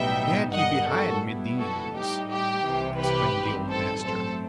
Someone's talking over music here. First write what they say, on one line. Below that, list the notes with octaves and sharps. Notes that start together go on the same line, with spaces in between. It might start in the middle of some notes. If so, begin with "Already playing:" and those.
"Get ye behind me, demons," exclaimed the old master.
Already playing: B1 A2 G3 B3 D#4 E5 G5
G1 G2 D#3 G3 D#5 F#5
F#4 A4
B2 G3 B3 E4
F#4 A4
A2 G3 D#4 G4
G4
C2 C3 E3
G4 B4
A1 G2 D#3 G3 C4
A4 C5
G2 F#3 A3 C4 A4 C5